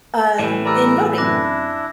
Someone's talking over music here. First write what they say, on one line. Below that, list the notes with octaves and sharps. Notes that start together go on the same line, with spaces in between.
um, in voting.
A2 E3 G#5 E7
G3 A#4 D5 A#5 B5 E6 F#6
F#2 C3 F#3 D4 E4 D6 F#6 A#6